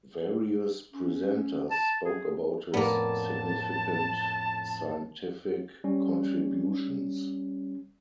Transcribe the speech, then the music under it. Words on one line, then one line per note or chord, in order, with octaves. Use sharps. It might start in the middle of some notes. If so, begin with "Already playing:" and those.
Various presenters spoke about his significant scientific contributions.
C#4
A5
G#4
F2 A2 A#3 B3 D5 A5
G3 C#4